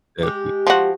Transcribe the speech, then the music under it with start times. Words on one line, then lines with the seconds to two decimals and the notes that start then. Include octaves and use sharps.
That'd be
0.23 G#3 G4
0.67 F3 F#4